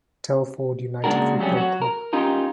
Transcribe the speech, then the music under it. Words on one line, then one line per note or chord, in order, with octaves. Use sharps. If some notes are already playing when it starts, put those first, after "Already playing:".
Telford United football club.
C#3 G#3 A#3 D4 F#4 A#4
F2 F#3 G3 A3 C#4
F#3 F#4
A#4
C#4 D#4 F4 G4 A#4